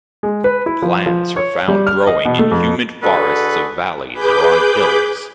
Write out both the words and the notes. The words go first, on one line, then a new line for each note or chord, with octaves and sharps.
Plants are found growing in humid forests of valleys or on hills.
G#3
B4
E4
F3
F3
C#5
G3
F6
D#5
B2
A3
F2
D3 F#4 G#4 A4 B4
G#4 B4 B5 D6 G6